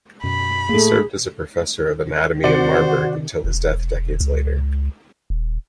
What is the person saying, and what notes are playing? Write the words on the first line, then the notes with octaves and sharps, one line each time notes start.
He served as professor of anatomy in Marburg until his death decades later.
F#2 B2 B5
A2 A3 A#3 G#4
C3 D#3 F#4 C5 D5 C#7
E1
C#2
D#1